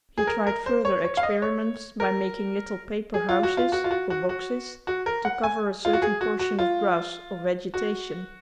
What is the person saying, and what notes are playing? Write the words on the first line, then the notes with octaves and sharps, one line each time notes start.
He tried further experiments by making little paper houses, or boxes, to cover a certain portion of grass or vegetation.
G#4
A#4
A#4
C5
C#5
C#5
F5
D#5
C#5
A#4
G#4
F4
F#4
F4
F#4
F4
F#4
F#4
F#4
F#4
A#4
F#5
G#5
F4
F#4
G#4
F#4
F#4
F4
F#4